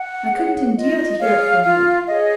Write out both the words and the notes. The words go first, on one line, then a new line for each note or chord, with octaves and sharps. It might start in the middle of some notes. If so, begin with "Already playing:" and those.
I couldn't endure to hear it from you.
Already playing: F#5
G#4 C#5
F4 D#5
G#4 C#5 F5
F4 F5
G#4 C#5 D#5